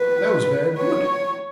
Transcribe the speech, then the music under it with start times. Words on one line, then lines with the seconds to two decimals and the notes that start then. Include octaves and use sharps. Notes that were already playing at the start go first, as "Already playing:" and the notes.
That was very good!
Already playing: B4
0.79 C#5